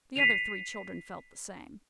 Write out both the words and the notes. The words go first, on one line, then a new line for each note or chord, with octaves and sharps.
The other three children felt the same.
B6 C7 D#7 F7